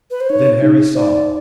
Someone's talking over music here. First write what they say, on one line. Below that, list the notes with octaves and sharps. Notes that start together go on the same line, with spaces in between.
Then Harry saw.
B4
C5
D#4 C#5
D#4
C5 D5